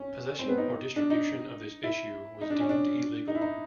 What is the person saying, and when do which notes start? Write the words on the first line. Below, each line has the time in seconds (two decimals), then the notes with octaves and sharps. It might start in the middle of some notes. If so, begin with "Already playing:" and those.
Possession or distribution of this issue was deemed illegal.
Already playing: C#4
0.39 C4
0.48 B3
0.58 D#4
0.96 D4
1.10 D#4
1.83 E4
2.41 D#4
2.50 D4
2.60 C#4
2.69 D4
3.28 D#4
3.35 E4
3.41 D#4